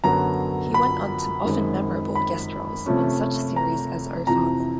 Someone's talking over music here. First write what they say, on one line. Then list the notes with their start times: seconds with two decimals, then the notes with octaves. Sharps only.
He went on to often-memorable guest roles on such series as Oh Father!
0.04 F#2 D3 F#3 B3 A#5
0.74 B5
1.45 F#2 D#3 G#3 C4
2.15 B5
2.86 C3 F3 A3 C#4
3.56 A#5
4.27 F2 C3 E3 A#5